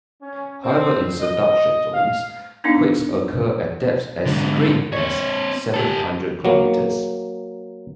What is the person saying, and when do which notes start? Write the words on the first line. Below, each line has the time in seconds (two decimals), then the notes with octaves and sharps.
However, in subduction zones, quakes occur at depths as great as seven hundred kilometers.
0.21 C#4
0.63 C4
1.20 D#5
1.93 F5
2.64 B3 D4 D#4 F5
4.25 G#2 D3
4.93 C4 C#5
5.74 G4 A4
6.45 F#3 A#3